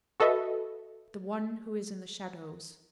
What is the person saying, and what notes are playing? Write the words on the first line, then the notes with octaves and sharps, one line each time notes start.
The One who is in the shadows.
F#4 A4 B4 D#5 E5